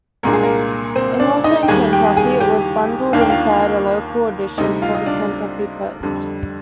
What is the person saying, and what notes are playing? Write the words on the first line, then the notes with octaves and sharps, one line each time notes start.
In Northern Kentucky, it was bundled inside a local edition called The Kentucky Post.
C2 A#2 G#3 D4 A#4
G#4
A#3 A#4
C4 C5
D4 D5
D#4 D#5
G5
D#2 D#3 G3 G#4 G#5
G4 G5
G#4 G#5
G4 G5
D#2 D#3 A#3 D4 F5
G5
F4 F5
D2 C3 G3 D#4 D#5
F4 F5
D#5
D4 D5
F2 D3 G3